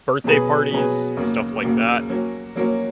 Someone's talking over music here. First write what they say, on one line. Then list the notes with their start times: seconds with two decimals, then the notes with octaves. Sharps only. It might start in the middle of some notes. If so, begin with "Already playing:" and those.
birthday parties, stuff like that.
0.24 B2 F#3 C#4 G#4 B4
0.71 B2 F#3 C#4 G#4 B4
1.16 D#2 C#3 F#3 A#3
1.63 D#2 C#3 F#3 A#3
2.09 F#3 A#3 C#4
2.56 F#3 A#3 C#4